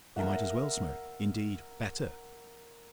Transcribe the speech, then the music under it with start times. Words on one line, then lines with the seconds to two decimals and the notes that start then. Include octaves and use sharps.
You might as well smoke- -indeed, better.
0.16 A#4 E5 F#5